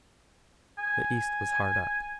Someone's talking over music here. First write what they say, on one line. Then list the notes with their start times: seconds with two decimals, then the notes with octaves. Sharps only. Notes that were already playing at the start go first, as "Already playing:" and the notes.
The East was hard up.
0.78 G#5